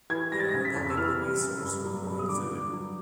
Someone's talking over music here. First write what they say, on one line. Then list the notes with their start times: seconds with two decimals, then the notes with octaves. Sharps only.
They are a valuable resource for growing food.
0.10 E3 G#6
0.32 G3 A#6
0.40 A6
0.49 A#6
0.54 C#3
0.65 B6
0.75 F2
0.90 E6
0.97 E3 F6
1.19 G3
1.41 C#3
1.63 G2
1.85 F#3
2.07 G2
2.19 D#6
2.29 D3 D6
2.50 G2
2.72 F#3